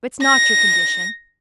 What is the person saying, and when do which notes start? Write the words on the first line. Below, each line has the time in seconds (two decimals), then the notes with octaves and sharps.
It's not your condition.
0.23 A#6